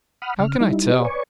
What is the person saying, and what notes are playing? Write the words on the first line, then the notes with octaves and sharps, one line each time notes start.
How can I tell?
F#5 B5 D#6 F6
C#3 F6
G3 D#4 E4
G4 B4 C#5 D#5
B4 C#5 D5 G#5 C#6